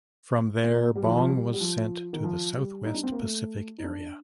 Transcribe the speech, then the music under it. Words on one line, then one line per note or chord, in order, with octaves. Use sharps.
From there, Bong was sent to the Southwest Pacific Area.
A#3
G3
F3
D#3
F3
G3
G3
F3
D#3
F3
G3
D#4
D4
C4
A#3
A3
D#4
D4